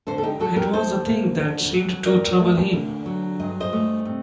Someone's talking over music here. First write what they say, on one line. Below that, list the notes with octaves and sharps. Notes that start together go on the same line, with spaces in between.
It was a thing that seemed to trouble him.
D3 A4 C5
A4
D#4 G4
F#3 F#4 A4
G4 A#4
D#2 A4 C5
A#3
D3
F#3
G2 A#4 D5
A3
D3
F#3
G2 D#5
C5 D#5
A3
C3